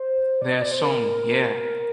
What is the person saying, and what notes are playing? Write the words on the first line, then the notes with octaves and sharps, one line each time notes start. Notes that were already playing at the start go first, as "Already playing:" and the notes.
Their song Yeah!
Already playing: C5
D5
D#5
D5
C5
A#4